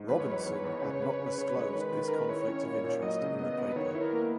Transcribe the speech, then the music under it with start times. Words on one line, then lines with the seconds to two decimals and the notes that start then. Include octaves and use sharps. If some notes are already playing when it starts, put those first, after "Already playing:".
Robinson had not disclosed this conflict of interest in the paper.
Already playing: G#2
0.09 E2 B4
0.20 C#5
0.27 F#3
0.32 B4
0.43 E2 C#5
0.56 B4
0.64 E2 C#5
0.79 C#3 B4
0.90 C#5
1.01 C#3 B4
1.13 C#5
1.19 C#3
1.26 B4
1.38 C#3 C#5
1.49 B4
1.56 G#3 C#5
1.73 D#3 B4
1.92 D#3
2.08 D#3 A#4
2.19 B4
2.29 E4 C#5
2.47 C#4
2.66 A#2
2.84 A#2
3.02 F#3 D#5
3.21 C#3
3.39 B3 D#5
3.58 B3
3.69 B4
3.76 D#3 C#5
3.95 E4
4.01 A#4
4.13 A#3